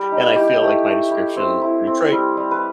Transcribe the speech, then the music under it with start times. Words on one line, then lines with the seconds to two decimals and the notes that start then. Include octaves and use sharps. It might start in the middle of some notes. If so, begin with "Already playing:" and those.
and I feel like my description Detroit
Already playing: G3 G4
0.12 D#4
0.36 E4 G4
0.61 A3
0.87 A3
1.11 E4
1.36 C4
1.61 E4
1.87 C4
2.12 G3
2.37 G3
2.51 B4